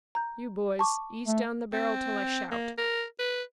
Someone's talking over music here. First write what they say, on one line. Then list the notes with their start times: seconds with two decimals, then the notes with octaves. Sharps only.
You, boys, ease down the barrel till I shout.
0.15 A#5 G6
0.79 A5 C#6 D6
1.27 A3
1.73 C4
2.51 A#3
2.78 A#4
3.19 B4